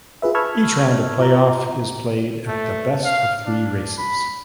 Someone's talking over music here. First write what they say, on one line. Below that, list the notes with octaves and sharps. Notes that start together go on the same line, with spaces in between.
Each round of Play Off is played at the best of three races.
F4 G#4 B4 E5
A5 B5 C#6 E6 F6 G#6
F4 A#5
A3
F5
D4
B5